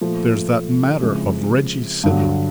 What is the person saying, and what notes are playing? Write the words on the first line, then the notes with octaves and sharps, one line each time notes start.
There's that matter of Reggie Sidley.
A#2 F3 A3
C#3 F3 G#3 C4 E4
G2 D3 F#3